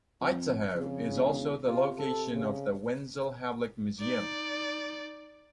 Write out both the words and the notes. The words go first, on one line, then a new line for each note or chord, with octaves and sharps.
Itzehoe is also the location of the Wenzel Hablik Museum.
F2
F2 C#3
E1
C3 F4
A4
C#3
D#4 D5